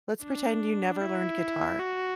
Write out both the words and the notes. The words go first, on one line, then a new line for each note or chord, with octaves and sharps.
let's pretend you never learned guitar,
D4
E4
F#4